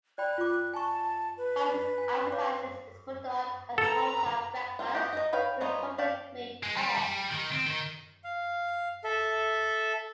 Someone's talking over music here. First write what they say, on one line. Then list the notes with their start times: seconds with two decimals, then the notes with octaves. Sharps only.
Harvey's advertises its product as a homestyle breakfast with custom-made eggs.
0.18 D5 G5 B5 F#6
0.38 F4 D6
0.74 G#5 A5 C#6
1.38 B4
1.98 G#5
2.32 C#5 F5 D6
3.78 A4 B4 A#5
4.79 F3 C4 F4
4.95 B3 F#4 G4
5.13 D#4 D#5
5.33 B4 C#5 F5 G5
5.60 G3 B3 D#4 F4 C#5
5.98 D5 F5 G5 A5
6.63 G#3
6.77 G3
6.98 G3
7.31 D#3
7.52 C4
7.67 D#3
8.24 F5
9.04 A4 E5